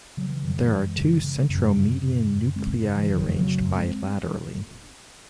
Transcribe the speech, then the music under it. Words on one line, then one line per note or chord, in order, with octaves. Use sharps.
There are two centromedian nuclei arranged bilaterally.
C#3 F#3
E3
F#2 D#3 F#3
E3 G#3
F#2
C#3
C#3
F#2
C#3
F#2
F#2
C#3 G#3 C4
C#3
E3
F#2
D#3 F#3
C#3 F#3 A3
F#2
G#3 C4